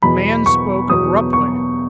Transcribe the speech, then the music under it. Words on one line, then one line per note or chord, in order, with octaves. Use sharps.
The man spoke abruptly.
E2 B2 F#3 B5
C#6
E2 B2 F#3 D#6
C#6